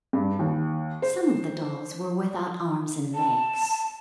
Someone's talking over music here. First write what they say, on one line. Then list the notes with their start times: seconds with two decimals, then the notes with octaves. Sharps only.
Some of the dolls were without arms and legs.
0.13 G2
0.39 D#2
1.02 C5
3.14 A5